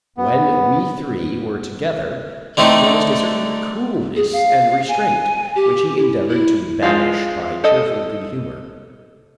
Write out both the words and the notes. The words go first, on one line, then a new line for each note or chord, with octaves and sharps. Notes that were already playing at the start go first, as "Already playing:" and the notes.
When we three were together, he noticed a certain coldness and restraint which he endeavored to banish by cheerful good humor.
B3
D3 A3 C4 D#4
G#4
F5
G#5
G4
E4
E4
F3 G#3 F4
A4 D#5